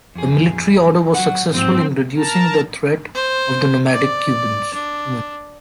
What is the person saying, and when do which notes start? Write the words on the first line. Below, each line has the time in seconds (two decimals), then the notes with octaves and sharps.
The military order was successful in reducing the threat of the nomadic Cumans.
0.15 F2 G#4
1.14 F#3 F#5
1.54 G#2 F3 C4
2.17 A#4 A5 A#5
3.15 C5
3.93 D5
4.74 D4